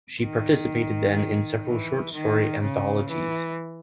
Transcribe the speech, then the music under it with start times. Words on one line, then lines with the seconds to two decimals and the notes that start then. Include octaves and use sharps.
She participated then in several short story anthologies.
0.21 D#3
1.66 E3
2.13 D#3
2.61 C#3
3.09 E3